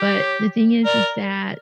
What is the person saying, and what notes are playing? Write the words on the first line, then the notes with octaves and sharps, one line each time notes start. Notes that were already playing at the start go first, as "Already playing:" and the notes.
but the thing is is that
Already playing: G4
C#5
A#4 D5